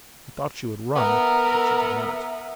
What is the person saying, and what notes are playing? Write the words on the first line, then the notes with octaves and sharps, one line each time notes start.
I thought she would run, but she did not.
B3 A#4 E5